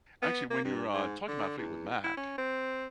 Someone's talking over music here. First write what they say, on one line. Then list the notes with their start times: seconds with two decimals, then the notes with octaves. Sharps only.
Actually, when you were, uh, talking about Fleetwood Mac,
0.22 B3
0.50 A#3
0.65 G2
0.94 G#2
1.28 D3
1.58 E2
2.03 E4
2.17 C#4
2.38 C4